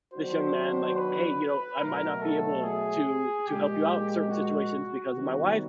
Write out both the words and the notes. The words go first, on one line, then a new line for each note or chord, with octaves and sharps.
this young man like, "Hey, you know, I might not be able to to help you out in certain situations because of my wife.
D#3 F#3 B3 D4 F#4 C5
B4
B2 F#3 A3 A#4
A4
G#4
A#2 F3 G#3 G4
F#4
C3 D#3 G3 B3